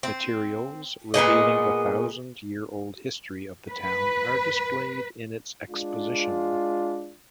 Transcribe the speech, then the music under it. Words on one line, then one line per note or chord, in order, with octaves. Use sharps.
Materials, revealing the thousand-year old history of the town are displayed in its exposition.
C4
A#2 B3 G#4 D#5
B4
G#3 D4 F4